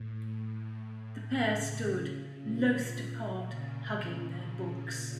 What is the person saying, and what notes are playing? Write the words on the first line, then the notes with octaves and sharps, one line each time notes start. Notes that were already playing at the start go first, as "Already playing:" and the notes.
The pair stood, loth to part, hugging their books.
Already playing: A2
A2
C#3
C#3
A#2
C#3